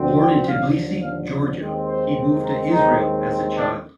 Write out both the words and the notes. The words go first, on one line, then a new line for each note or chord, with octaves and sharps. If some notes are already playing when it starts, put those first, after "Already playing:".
Born in Tbilisi, Georgia, he moved to Israel as a child.
Already playing: D2 D3 F3 C4
G5
D#2 D3 F3 F5
F5
D#2 D#3 G#3 C4
C5
A#4
D#2 D#3 G#3 C4 D#4
D4